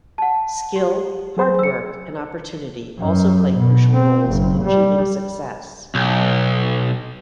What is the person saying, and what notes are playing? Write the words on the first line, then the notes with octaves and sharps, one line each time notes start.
Skill, hard work, and opportunity also play crucial roles in achieving success.
F#5 A5
G4
F#3 G#4 C5
E6 C#7
F#2
B2
C4
F#1
G3
B1